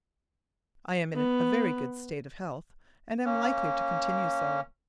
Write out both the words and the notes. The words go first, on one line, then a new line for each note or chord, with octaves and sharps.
I am in a very good state of health, and am likely to continue so.
B3
A#3 C#4